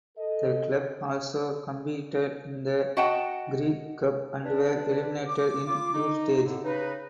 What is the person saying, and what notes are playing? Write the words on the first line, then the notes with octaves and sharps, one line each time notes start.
The club also competed in the Greek Cup and were eliminated in Group Stage.
A4 D#5
F#4 D#5 F#5 G5 A5
D4 B4
D6
F4
D#4
A2 D3
C#3 D#4 B4